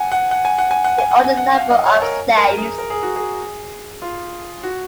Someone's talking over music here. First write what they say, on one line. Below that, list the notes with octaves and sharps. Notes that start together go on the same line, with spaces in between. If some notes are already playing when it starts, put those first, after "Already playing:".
He owned a number of slaves.
Already playing: F#5 G#5
F#5
F#5
G#5
F#5
G#5
F#5
G#5
F#5
G#5
F#5
F5
D#5
C#5
A#4
A#4
G#4
A#4
G#4
F#4
G#4
F4
F#4